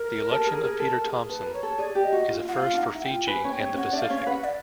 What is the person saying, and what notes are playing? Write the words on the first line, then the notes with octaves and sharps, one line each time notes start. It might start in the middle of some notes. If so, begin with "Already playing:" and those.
The election of Peter Thomson is a first for Fiji and the Pacific.
Already playing: A#4
A4
G#4
G#4
A4
G#4
A4 B4
A#4
C#5
A4
G#4 D5
G4
D#5
F#4
F4
F4 F#5
F5
F4
D4
D#4 F#5
E4
G5
F4
B4 G#5
C#4 C#5
G5
C#4 C#5
C#4 C#5 F#5
D4 D5 E5
F5
C#4 C#5
F5
B4 F#5
D5